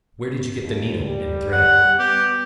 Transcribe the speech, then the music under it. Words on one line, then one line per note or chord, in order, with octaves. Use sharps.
"And where did you get the needle and thread?"
D#2
G3
F#5
B3 G4